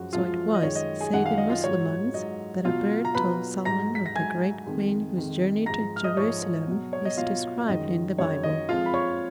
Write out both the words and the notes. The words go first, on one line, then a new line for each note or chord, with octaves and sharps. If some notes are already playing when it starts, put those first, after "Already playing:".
So it was, say the Mussulmans, that a bird told Solomon of the great Queen whose journey to Jerusalem is described in the Bible.
Already playing: F#2 F3 G#3 F#4
F#2 F3 G#3 F4 F5
D#5
F#2 D#3 G#3 C#5
D#5
G#4 G#5
F#2 D#3 G#3 F#5
F5
D#5
F4 F5
G#2 F#3 C#5
G#2 F#3 D#5
B2 F#3 F4 F5
A#5
B2 F#3 B4 B5
G#2 F#3 A#5 A#6
B6
A#6
G#2 F#3 G#5 G#6
F2 D#3 G#3
F2 D#3 G#3
G#2 F3 G#3 A#5 A#6
F6
D#5 D#6
G#2 F3 G#3 C#5 C#6
B2 F#3
C#5
D#5
B2 F#3 F4 F5
F#2 D#3 G#3 D#5
F#2 D#3 G#3 C#5
D#5
F2 F3 G#3 F4 F5
B5
C#5 C#6